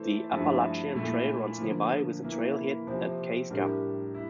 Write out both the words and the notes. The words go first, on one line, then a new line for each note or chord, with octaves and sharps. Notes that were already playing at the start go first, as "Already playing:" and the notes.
The Appalachian Trail runs nearby, with a trailhead at Keyes Gap.
Already playing: E3 A3 E4 A4 C5
G2 F3 A3 E4
A#2 A3 E4 A4
D3 F3 A#3
E3 A#3 E4
C3 F3 C4 G4
A2 G3 D4 G4 A#4
E4